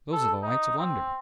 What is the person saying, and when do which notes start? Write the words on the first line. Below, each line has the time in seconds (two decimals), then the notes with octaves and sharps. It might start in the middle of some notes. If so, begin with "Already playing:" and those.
Those are the lights of London.'
0.12 A4
0.42 D#4
0.79 C4